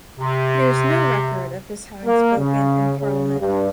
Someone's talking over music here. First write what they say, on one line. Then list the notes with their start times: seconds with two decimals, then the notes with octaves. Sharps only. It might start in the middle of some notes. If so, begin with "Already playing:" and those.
There is no record of his having spoken in Parliament.
0.19 C3
2.05 A#3
2.38 C#3
2.98 C#3
3.39 G2